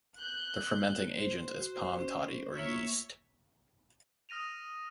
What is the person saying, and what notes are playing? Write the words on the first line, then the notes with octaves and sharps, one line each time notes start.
The fermenting agent is palm toddy or yeast.
F#6 G6
C5
F#4
C#4
A#3 F4 C#5 E5 C#6
D#6 F6 A#6 D#7 F7